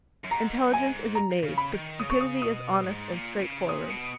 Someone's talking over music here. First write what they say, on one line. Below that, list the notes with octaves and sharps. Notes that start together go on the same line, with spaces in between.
Intelligence is a knave, but stupidity is honest and straightforward.
F#2
G#2 A#5
F#2
G#5
G#2
A#5
C#3
B5
D#3
C#3 D#6
C#6
D#6
B2 D#6
G#2
A#2
C#3
A#2 D#6
B2